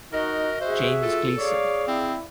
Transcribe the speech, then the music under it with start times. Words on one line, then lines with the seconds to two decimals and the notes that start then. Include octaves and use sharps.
James Gleeson.
0.13 D#4 F#4 A#4 D#5
0.61 F#4 G#4 C5 E5
1.02 F4 A4
1.39 G#4 C#5 D5 F5
1.88 C4 E4